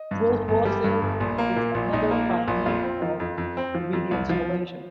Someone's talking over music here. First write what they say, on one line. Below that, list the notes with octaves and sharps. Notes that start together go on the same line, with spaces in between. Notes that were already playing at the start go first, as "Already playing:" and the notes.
Wolf Vostell is another pioneer of video installation.
Already playing: D#5
G2
G1
G1
G3
G2
G1
A#1
A#3
A#2
A#1
A#1 D#4
A#3
A#2
A#1
F2 F4
C4
F3
F2
F2
C4
F3
F2
C2
F3